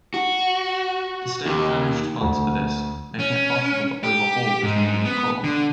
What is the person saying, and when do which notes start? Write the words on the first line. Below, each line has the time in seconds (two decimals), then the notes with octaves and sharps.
The state furnished funds for this, making it possible to overhaul the community core.
0.14 F#4
1.46 D#2
2.21 D2
3.19 C#4
4.04 G4
4.63 G#2
5.05 B3
5.44 D3